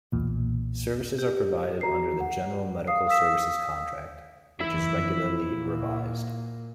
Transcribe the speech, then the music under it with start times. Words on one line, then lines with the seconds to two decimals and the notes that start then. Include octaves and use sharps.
Services are provided under the General Medical Services Contract, which is regularly revised.
0.12 B1 E2 A#2
1.19 G4
1.81 F#4 A#5 C7
2.20 F#5
2.87 F5 D#6 C7
3.07 F5 D#6 E6 B6 E7
4.60 F#1 E3 E4 E5
5.48 A#2 A#3